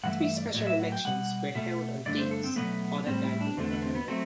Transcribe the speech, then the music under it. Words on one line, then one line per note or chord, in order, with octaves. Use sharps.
Three special elections were held on dates other than in November.
G2 E3 A3 F#5
E5
D5
A2 F#3 A3 D5
E5
F#5
G5
B2 G3 F#5
B2 A3 E5
G2 D3 A3 D5
C5
A4
C4
B2 F#3 A3 B3
A2 G3 C4
E4
D4
E2 D3 A3 C4
B3
C4
B3
F#3 A3 C4